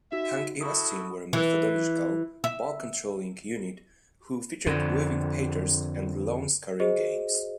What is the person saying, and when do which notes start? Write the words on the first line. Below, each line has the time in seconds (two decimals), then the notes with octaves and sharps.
Hank Iba's teams were methodical, ball-controlling units who featured weaving patterns and low-scoring games.
0.12 D#4 F#4 E5
0.61 E4 F#4 A4 B5 C#6 D#6
1.33 E3
2.44 E5
4.66 F2 D3
6.80 F#4 G#4 C5 D#5